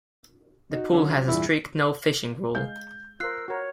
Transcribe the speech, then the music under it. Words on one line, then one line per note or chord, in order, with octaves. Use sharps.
The pool has a strict no fishing rule.
D#4 F#4
D3 F#3 C#4 F4
E2 G2 A#2 E4
G#3 F5 G6
F4 A#4 C5 E6 F#6 C7
F#4 A#4 C#5